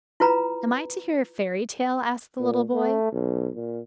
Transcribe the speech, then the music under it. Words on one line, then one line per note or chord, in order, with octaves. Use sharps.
"Am I to hear a fairy tale?" asked the little boy.
E4 F4 B4 A#5 B5
A#2
A3
B1
A#2